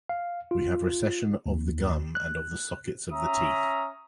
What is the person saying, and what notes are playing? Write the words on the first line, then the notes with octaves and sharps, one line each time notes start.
We have recession of the gum and of the sockets of the teeth.
F5
F4
D#2
F#6
C#4 E5 A#5 D#6